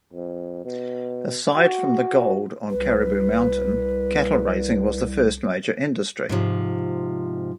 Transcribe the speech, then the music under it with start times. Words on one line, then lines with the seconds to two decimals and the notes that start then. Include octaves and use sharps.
Aside from the gold on Caribou mountain, cattle raising was the first major industry.
0.13 F2
0.65 B2
1.57 F#4
2.71 C2 B4
6.29 G#2 C3 F3